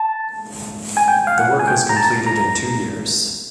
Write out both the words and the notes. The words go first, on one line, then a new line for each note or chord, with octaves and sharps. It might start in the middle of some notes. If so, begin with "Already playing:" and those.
The work was completed in two years.
Already playing: A5
G#5
G5
F5
F#5
G#5
G5
A#5
A5
A#5